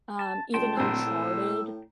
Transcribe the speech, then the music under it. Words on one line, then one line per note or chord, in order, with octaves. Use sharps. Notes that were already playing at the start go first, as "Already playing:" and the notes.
um, even Uncharted.
A5
C#2 G5 A5 C6
D1 A#1 C4 C5 E6
A2